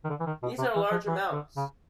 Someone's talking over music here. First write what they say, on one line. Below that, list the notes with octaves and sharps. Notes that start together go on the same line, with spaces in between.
These are large amounts.
D#3
D3
E3
D#3
B2
C3
E3
F3
E3
D3
C#3